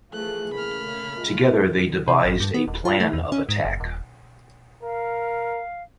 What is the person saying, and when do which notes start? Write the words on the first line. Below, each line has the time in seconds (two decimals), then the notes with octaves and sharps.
Together they devised a plan of attack.
0.13 E3 F3 A3 G#4 F#6
0.54 C#3 A3 A#3 B5 F6
1.17 G#3 F4
2.08 C3
2.24 G#1
2.40 G2
2.54 B3
2.68 D#1
2.85 F4
3.00 A3
3.13 E2
3.32 C#4
3.49 G#2
3.65 F#1
3.80 D#1
4.83 A#4 F5